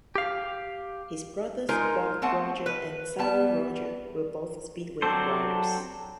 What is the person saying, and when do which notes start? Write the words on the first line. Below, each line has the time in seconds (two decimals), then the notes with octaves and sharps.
His brothers Bob Roger and Cyril Roger were both speedway riders.
0.15 G4 F5
1.69 G#3 D#4 F4 A#4 C5
2.22 A3 C4 F#5 A5
2.66 B4
3.19 G3 B3 A5
5.02 F#3 C4 D4 A4 C5